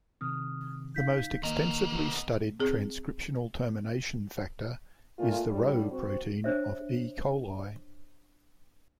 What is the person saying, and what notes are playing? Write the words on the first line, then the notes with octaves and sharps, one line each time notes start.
The most extensively studied transcriptional termination factor is the Rho protein of "E. coli".
C3 D#3 C4 D#6 F6
C#3 D#4 F5 G6 B6
D#3 A#3 B3 A#4 D#5
C4 G#4
A#2 A3 F4
A2 D3 G3
C4 F#4
D4 C5 C#5 E5